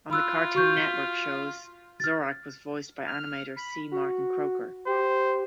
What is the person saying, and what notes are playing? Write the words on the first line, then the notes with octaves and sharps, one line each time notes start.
On the Cartoon Network shows, Zorak was voiced by animator C. Martin Croker.
F4 B5 E6 F#6
F#4 C#6 G6
B6 G7
F6 A6
F6
B5
F#4
G4 C5